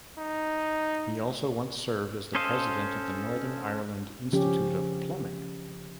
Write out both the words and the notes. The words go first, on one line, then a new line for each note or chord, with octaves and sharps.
He also once served as the President of the Northern Ireland Institute of Plumbing.
D#4
C#4 A4 C5 D#5 F5
C#3 F3 C#4 G4